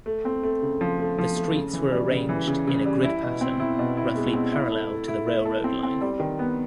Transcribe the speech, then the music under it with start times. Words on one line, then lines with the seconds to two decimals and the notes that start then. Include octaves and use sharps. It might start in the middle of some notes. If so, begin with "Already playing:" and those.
The streets were arranged in a grid pattern roughly parallel to the railroad line.
0.06 A3
0.25 C4
0.43 A3
0.62 C#3
0.81 F3
0.99 A3
1.18 F3
1.36 A3
1.56 C#3
1.73 E3
1.92 G3
2.11 C#3
2.29 E3
2.47 C#3
2.67 C#3
2.85 G3
3.04 E4
3.23 B2
3.41 C4
3.60 E4
3.79 B2
3.97 E4
4.15 G#3
4.34 C4
4.52 E4
4.72 A4
4.90 A3
5.08 E4
5.27 E4
5.45 A4
5.64 C4
5.83 C4
6.01 G3
6.20 D#3
6.39 B3